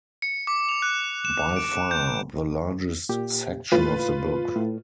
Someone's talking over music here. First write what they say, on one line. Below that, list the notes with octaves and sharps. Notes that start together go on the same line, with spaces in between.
By far the largest section of the book.
C#7
D6
F7
F#6
E7
D7
G6
A#2 G4
E2 A2 F4 B4
A2